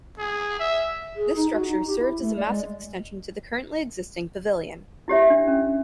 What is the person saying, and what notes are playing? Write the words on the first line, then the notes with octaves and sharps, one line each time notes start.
This structure served as a massive extension to the currently existing Pavilion.
G#4
E5
G#4
D#4
F#4
D#4
G4
E4
A3
D5
G#3
E4 G4 C#5 E5
D4
C#4